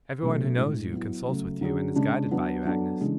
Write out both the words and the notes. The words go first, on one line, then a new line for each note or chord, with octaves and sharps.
Everyone who knows you, consults with you, and is guided by you, Agnes.'
B2 F#3 A3 D4
A2 G#3 D4
F#3 B3 E4
C#3 F#3 A3
D3 F#3 C#4 G#4
C#3 G#3 D4
F#3 B3 D4
F#3 B3 D4 A4
C#3 E3 G#3 D4 G#4